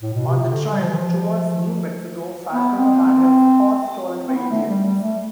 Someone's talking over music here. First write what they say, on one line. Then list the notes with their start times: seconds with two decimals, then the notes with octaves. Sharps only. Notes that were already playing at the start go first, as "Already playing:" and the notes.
On the trail towards New Mexico, Falconer had his horse stolen by Indians.
0.02 A2
0.14 B2
0.27 C3
0.40 C3
0.50 D3
0.72 G3
0.81 F3
0.90 E3
0.97 F3
2.53 B3
2.76 C4
4.29 C4
4.35 B3
4.50 A3
4.68 G3
4.85 G3
5.02 A3